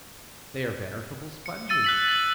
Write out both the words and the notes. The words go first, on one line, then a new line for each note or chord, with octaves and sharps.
They are veritable sponges!
C#7
E6 A6 D#7
F#6 B6 F#7
A6 F#7